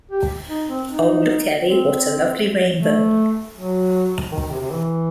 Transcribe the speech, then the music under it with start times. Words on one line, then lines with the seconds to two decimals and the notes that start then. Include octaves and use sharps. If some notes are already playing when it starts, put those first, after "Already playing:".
Oh, look, Ellie, what a lovely rainbow!
0.11 G4
0.49 D#4
0.68 C4
0.88 D#4
1.64 C4
2.79 A3
3.56 F#3
4.32 D#3
4.42 D#3
4.51 C3
4.61 C3
4.71 E3